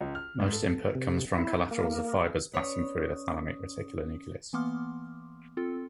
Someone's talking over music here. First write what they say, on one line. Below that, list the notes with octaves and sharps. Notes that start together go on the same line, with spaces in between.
Most input comes from collaterals of fibers passing through the thalamic reticular nucleus.
C#2
F6
G#2
A4
C3
E4
A#3
C#4 B4 C#5 D5 D#6
E3 A#3 B3 C6 D6 F6
C4 F4 A4